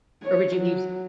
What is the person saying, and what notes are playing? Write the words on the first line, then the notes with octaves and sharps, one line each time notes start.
or would you be
C#5
F#3